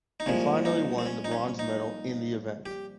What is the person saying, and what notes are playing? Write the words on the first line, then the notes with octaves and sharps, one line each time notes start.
He finally won the bronze medal in the event.
D#4
C2 A#2 F3 G#3 C#4
D#4
C4
C#4
D#4
C#4
D#4
G4